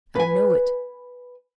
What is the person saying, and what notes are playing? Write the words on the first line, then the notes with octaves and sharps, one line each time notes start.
I know it.
B4 G#5